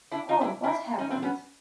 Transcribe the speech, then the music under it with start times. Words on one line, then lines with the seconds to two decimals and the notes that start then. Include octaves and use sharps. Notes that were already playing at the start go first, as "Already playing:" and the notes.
Oh, what's happened?
0.11 D4 E4
0.29 D#4 F4
0.41 D4 E4
0.64 D4 E4
0.99 C#4 D#4
1.10 C4 D4
1.22 B3 C#4